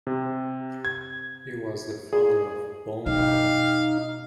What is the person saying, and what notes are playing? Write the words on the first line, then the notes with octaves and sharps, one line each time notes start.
He was the father of Boun Oum.
C3
G#6
G#4
B2 D#4 G4 F5